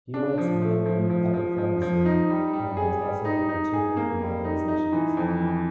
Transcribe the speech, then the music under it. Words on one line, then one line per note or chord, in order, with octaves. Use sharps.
He writes mainly epic fantasy, and has also written two movie novelizations.
D4
F3
A3
F3
F3
F3
F3
F3
D#4
G3
G3
G#4
G3
D#4
D#4
G#4
A#3
G3
D#4
D#4
E3
F2
E3